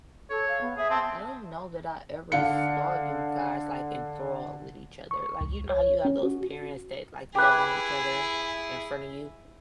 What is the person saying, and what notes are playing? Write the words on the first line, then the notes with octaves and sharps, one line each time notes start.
"I don't know that I ever saw you guys, like, enthralled with each other." Like, you know how you have those parents that, like, love on each other in front of you.
A4 C#5
F5
B3
G#4 E5
C4 A5
D3 F5 C#7
C#6
C#2
C#5
C#4
F#4
E4 G4 G#4 B4